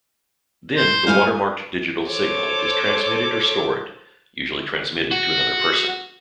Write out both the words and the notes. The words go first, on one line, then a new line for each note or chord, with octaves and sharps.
Then the watermarked digital signal is transmitted or stored, usually transmitted to another person.
C5
G2 A3 F5 G#5
A4 C5 C#5 D6
F#4